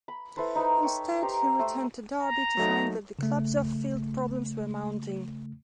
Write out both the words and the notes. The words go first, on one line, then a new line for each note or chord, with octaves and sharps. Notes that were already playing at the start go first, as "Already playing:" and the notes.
Instead he returned to Derby to find that the club's off-field problems were mounting.
B5
E4 A4 B4 C5
D#4 B4 C5
C#5 G5
G4 C5 A#5
A3 C5
A#5
F#3 A3 D#4
C#3 A3